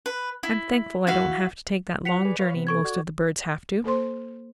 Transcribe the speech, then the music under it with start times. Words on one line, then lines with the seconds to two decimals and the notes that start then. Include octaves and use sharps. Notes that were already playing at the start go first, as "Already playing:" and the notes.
I'm thankful I don't have to take that long journey most of the birds have to.
0.06 B4
0.43 E4
1.07 E4 F#4 F5
2.05 F3 F#5 B6 C#7 F7
2.25 G#4 B4 D5
2.39 B4 C#5 F5
2.54 C3 B3
2.67 A4 C#6 G#6
2.85 F#4 D5
3.84 A#3 A4 C5 C6